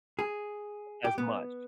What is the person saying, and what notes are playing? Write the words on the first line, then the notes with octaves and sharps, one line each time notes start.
as much.
G#4
G4
B3